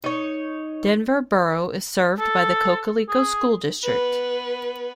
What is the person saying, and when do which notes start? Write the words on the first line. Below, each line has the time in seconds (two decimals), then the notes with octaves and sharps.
Denver Borough is served by the Cocalico School District.
0.04 D#4 C#5
2.19 A4
3.09 G#4
3.83 B3 B4